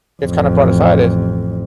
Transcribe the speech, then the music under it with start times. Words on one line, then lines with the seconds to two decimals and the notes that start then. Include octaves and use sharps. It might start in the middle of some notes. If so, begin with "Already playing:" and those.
it's kinda brought aside is
0.23 A1 F2